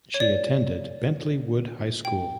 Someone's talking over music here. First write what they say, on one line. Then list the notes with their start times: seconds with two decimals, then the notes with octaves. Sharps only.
She attended Bentley Wood High School.
0.14 C#5
0.20 D5
2.05 G5